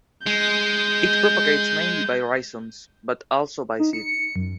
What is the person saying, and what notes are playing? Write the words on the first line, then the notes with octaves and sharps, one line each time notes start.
It propagates mainly by rhizomes, but also by seed.
G#3 G6
D#4
C#7
F#2